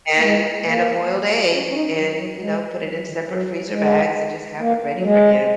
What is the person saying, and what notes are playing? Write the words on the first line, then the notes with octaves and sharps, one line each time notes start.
and and a boiled egg and, you know, put it in separate freezer bags and just have it ready for him.
A#3
G#3
A#3
C#4
C#4
D#4
F#3
F#3
G#3
F#3
F#3
D#3
F#3
G#3
A#3
F#3
G#3